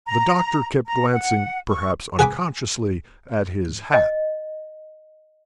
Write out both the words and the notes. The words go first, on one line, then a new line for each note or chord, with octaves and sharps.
The doctor kept glancing, perhaps unconsciously, at his hat.
A#5
A#5
F#5
C#6
G#4 B4 F#5 G#5 B5 D6
D#5